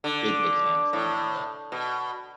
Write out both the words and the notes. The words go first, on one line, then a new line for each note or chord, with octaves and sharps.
big big fan of him and, uh,
D3
A2
B2